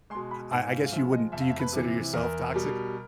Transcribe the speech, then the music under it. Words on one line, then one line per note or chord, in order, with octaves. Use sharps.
I I guess you wouldn't do you consider yourself toxic?
B2 G#3 C6
B5
G#2 F#5
F5
F5
F3 G#3 E5
D#5
F2 E5
F5
E5
B4
C3 E3
E2 A#4
B2 G3